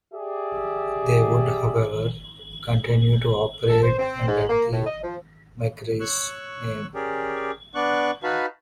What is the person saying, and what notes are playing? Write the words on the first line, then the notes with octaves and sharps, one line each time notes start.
They would however, continue to operate under the McRae's name.
G4 G#4 D5 E5
A4
C5
C4
G#2
A#3
A2
D#5
F3
C#5 C#6 E6 F#6
C#4 G4 G#4 A#4 D5
B3 D4 D5 C#6 F#6
D#4 F#4 B4 F5 A5 B5